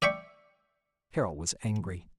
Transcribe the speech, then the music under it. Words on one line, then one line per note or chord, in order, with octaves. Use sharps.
Carol was angry.
D5 E5 G5 C#6